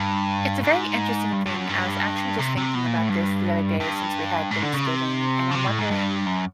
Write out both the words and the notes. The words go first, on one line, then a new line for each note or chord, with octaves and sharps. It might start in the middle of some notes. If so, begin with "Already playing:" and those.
It's a very interesting thing. I was actually just thinking about this the other day since we had Thanksgiving, and I'm wondering
Already playing: G2
G#2
G2
G2
F#2
G2
C3
C3
B2
A#2
A2
G2
G2
G#2
D3
C#3
C3
C#3
C3
A2
G#2
G2
F#2